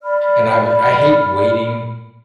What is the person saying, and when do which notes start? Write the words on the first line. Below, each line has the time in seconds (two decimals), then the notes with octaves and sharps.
and I uh, I hate waiting
0.03 D5 B5 F6